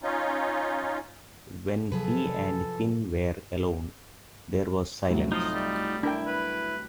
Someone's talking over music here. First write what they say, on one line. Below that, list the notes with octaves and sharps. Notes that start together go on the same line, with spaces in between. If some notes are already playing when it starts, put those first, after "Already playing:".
When he and Quinn were alone, there was silence.
C#4 D#4 F4
C3 F3 F#3 G#4 A4 B4
C2 A2 F#3
F3 D#4 F4 D#5
G3
D4 E4 A#4 G5
B4